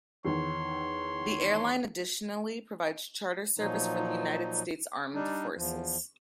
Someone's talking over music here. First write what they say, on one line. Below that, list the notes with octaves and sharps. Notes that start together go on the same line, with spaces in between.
The airline additionally provides charter service for the United States Armed Forces.
E2 D#3 C#5 C6
A#2 F3 F#3 D#4
G3 D4 D#4
E2 F3